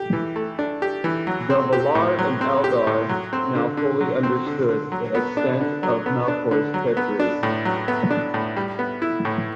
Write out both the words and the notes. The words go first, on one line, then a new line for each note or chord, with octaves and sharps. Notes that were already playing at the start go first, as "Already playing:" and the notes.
The Valar and Eldar now fully understood the extent of Melkor's treachery.
Already playing: G4
E3
A3
D4
G4
E3
F#3
C4
G4
A2
F#3
C4
G4
A2
F#3
C4
D3
D3
F#3
C4
D3
D3
F#3
B3
D4
D3
F#3
B3
D4
D3
F#3
B3
D4
A2
F#3
B3
D4
A2
G3
B3
E4
A2